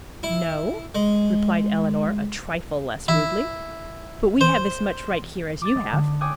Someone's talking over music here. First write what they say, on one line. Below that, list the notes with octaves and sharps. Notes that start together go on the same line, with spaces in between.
"No," replied Eleanor a trifle less rudely, "but we have as much right here as you have."
E4
G#3
E4
C5
D6 A6
G#3
D3
C#5 G5 G#5 D6 D#6 F#6